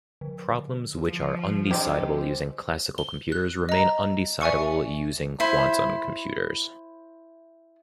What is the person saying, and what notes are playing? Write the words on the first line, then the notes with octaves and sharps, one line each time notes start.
Problems which are undecidable using classical computers remain undecidable using quantum computers.
D3
F3
G#3 C4 D4 G4 A#4 C5
G7
F#6
D#5 A#5
D5 E5 G#5 C#6 C#7
E4 C5 B5